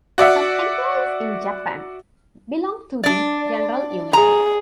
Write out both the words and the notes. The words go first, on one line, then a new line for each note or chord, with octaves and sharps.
Some employees in Japan belong to the General Union.
F#4 D5 E5 F#5
D4 D5
G#4 A#5